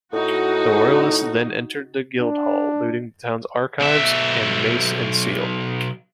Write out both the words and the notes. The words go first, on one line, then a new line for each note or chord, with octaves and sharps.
The Royalists then entered the Guildhall looting the town's archives, and mace and seal.
A2 D#4 F#4
D4
B1 E5